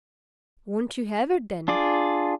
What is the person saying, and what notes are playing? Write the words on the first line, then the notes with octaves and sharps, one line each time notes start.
'Won't you have it, then?
D4 F4 G#4 D5